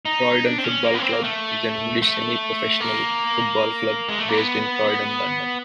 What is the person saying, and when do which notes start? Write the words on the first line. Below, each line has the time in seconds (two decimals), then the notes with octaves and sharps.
Croydon Football Club is an English semi-professional football club based in Croydon, London.
0.05 D#4
0.45 D4
0.58 C4
0.64 C#4
0.83 A#3
0.94 B3
0.99 C#4
1.03 C4
1.13 A#3
1.24 A3
2.02 A3
2.80 A#3
4.09 G#3
4.19 A3
4.29 A#3
4.38 B3